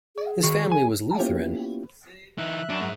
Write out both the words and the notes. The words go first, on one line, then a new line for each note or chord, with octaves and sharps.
His family was Lutheran.
G#4
D#3 F#4
G#5
A#3 B3 C#4 E4 F4 G4
E3 D#4 E5 F#6
F#2 D4
G#2 G#3